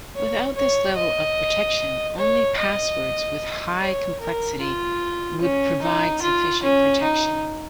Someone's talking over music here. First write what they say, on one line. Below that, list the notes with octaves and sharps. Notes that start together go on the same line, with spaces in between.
Without this level of protection, only passwords with high complexity would provide sufficient protection.
C#5
C#5
D#5
C#5
D#5
C#5
A#4
F4
C#4
D#4
F4
C#4
D#4